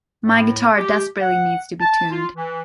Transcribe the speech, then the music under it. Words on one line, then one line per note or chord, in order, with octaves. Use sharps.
My guitar desperately needs to be tuned.
A2
G4
F#5
A5
F4
E3